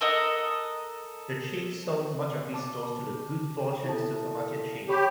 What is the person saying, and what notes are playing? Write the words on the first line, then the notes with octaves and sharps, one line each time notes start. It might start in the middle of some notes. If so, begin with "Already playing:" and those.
The chain sold much of its stores to the Good Fortune Supermarket chain.
A4 A#4 D#5 F#5
A5 D6
E4 A4 A5
G4 C#5 B5 C#6